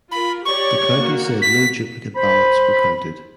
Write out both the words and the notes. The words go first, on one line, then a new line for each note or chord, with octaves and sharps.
The county said no duplicate ballots were counted.
F4 A#4 B5
G4 C#5 D5 C#6
A#3 F#4
B6
C5 B5